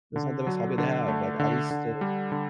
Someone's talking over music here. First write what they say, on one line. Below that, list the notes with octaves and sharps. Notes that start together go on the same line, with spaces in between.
that's not the best hobby to have. Like, I used to
D3
F#3
D3
A3
D3
D3
G3
D3